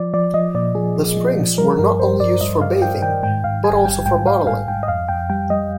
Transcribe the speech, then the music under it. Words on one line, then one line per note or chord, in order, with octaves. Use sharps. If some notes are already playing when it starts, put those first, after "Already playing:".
The springs were not only used for bathing, but, also for bottling.
Already playing: F3 D5
F3 D5
F3 D#5
A#2 D5
F3 G#4
F3
F3
F3
G3 A#4
G2 A#4
G2 C5
G2 D5
G2 D#5
G2 F5
G2 G5
D#3 G5
G#2 G5
G#2 F5
G3 G#5
G3 G5
G#2 G5
G#2 F5
G#2 F5
G#2 G5
D#5
F2 F5
F2 G5
G3 G5
G3 D#5